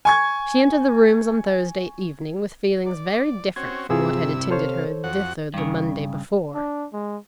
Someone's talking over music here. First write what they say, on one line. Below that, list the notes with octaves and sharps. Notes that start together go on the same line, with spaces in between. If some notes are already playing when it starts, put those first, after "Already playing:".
She entered the rooms on Thursday evening with feelings very different from what had attended her thither the Monday before.
G#5 C#6 G#6
D5
C4 C#4 F#4 G#6
G2 C3 E4 F4 G#4 E6
A4 C5 C#5 F5
F2 F#4 F#5
G2 C#3
D4
G#3